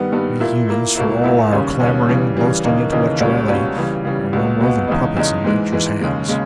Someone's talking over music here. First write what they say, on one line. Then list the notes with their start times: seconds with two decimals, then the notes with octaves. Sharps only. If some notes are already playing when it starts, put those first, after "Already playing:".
We humans, for all our clamoring, boasting intellectuality, are no more than puppets in Nature's hands.
Already playing: G2 D#3 G3 B3
0.12 G2 D#3 G3 B3
0.40 A#2 A#3 E4
0.68 A#2 A#3 E4
0.96 C#2 B2 A#3 E4
1.24 C#2 B2 A#3 E4
1.52 D#2 C#3 G3 C#4
1.80 D#2 C#3 G3 C#4
2.09 C#3 E3 G3
2.37 C#3 E3 G3
2.64 D#2 C#3 E3 A#3 D#4
2.92 D#2 C#3 E3 A#3 D#4
3.21 C#2 B2 G3 C#4
3.48 C#2 B2 G3 C#4
3.76 C#3 E3 G3
4.05 C#3 E3 G3
4.33 C#2 B2 G#3 B3
4.61 C#2 B2 G#3 B3
4.88 E2 C#3 G#3 D#4
5.17 E2 C#3 G#3 D#4
5.44 G#2 E3 G#3
5.72 G#2 E3 G#3
6.01 D#2 C#3 G#3
6.28 C#3 G#3